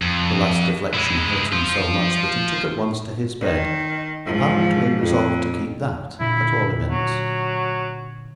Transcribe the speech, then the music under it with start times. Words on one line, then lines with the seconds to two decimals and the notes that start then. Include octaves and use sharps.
The last reflection hurt him so much, that he took at once to his bed; apparently resolved to keep that, at all events.
0.02 F2
0.94 G#3 E4
1.53 F4 C5
3.41 D#3
4.25 G#2 F3
5.03 F2
6.20 A#2 D3 E4
6.91 F#3